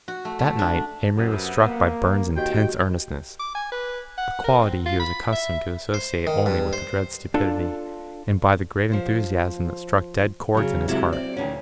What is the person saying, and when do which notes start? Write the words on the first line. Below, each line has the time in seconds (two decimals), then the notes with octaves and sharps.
But that night Amory was struck by Burne's intense earnestness, a quality he was accustomed to associate only with the dread stupidity, and by the great enthusiasm that struck dead chords in his heart.
0.08 F#4
0.25 A3
0.39 A3
0.59 D4
1.18 F#2 C3 B3
1.66 A#3
2.37 D#2 F#4 G4 D#5 G5
3.39 D6
3.55 G#5
3.72 B4
4.18 F#5
4.44 A#4
4.58 C4
4.86 F4
4.99 B5
5.32 E5
5.94 C5
6.27 D#3
6.46 G2
6.73 C5
7.34 D4 F4 A4
8.92 F3 C5
10.55 C#3 F#3
10.88 C3 F#3 G#3 A#3 E4
11.13 C4 D5
11.37 D2 A#2 D#3 E3 C#4